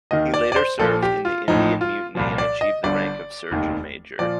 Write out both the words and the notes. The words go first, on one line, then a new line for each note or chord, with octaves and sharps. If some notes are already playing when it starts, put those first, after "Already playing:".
He later served in the Indian Mutiny and achieved the rank of surgeon major.
D#2 D#3 D#5
D5
D5
C5
A#1 A#2 F3 A4
G4
F4
A1 A2 F3 D#4
F4
C2 A#2 F3
D5
D#5
G1 G2 D3 D5
F1 D#2 D#3
A#2 F3 D5